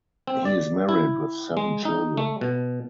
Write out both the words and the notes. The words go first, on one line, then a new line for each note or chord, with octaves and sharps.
He is married with seven children.
C4
D5
E4
G#3
D#4
A3
B2